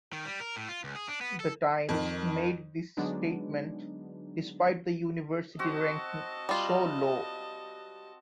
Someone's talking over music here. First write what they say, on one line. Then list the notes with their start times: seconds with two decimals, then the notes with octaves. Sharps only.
The Times made this statement despite the University ranking so low.
0.13 D#3
0.25 G3
0.40 A#4
0.56 A2
0.69 F4
0.84 C#2
0.96 G#4
1.09 D4
1.21 B3
1.40 A4
1.89 F2 D#3
2.97 D3 F#3 G#3 B3 D4 D#4
5.59 C4 F#4 D#5 A5
6.49 G3 F4